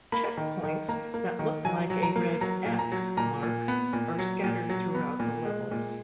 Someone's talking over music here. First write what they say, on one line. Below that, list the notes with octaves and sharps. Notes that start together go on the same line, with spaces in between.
Checkpoints that look like a red "X" mark are scattered throughout the levels.
A#3 B5
D#3
D#3
A#3 A#5
A#3
D#3
F#3 G#5
F#3
A#5
A#3
F#3 A#5
A#2
A#5
F#3
A#2 A#5
A#2
B3
A#2
F#3
A#2
F#3
B3
A#2
G#3
A#2